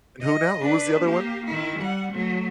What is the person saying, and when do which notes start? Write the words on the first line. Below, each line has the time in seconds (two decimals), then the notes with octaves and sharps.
And who now? Who was the other one?
0.22 D#5
0.62 D4 B4
1.04 A#3 G4
1.46 D#3 E4
1.78 G3 F#5
2.12 F#3 A3